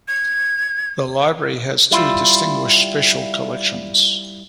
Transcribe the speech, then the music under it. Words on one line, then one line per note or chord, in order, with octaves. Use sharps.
The library has two distinguished special collections.
G#6
G3 E4 F4